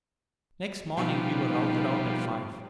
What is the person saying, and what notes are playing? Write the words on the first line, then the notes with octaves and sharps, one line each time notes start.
Next morning we were routed out at five.
B2 F3 G3 D#4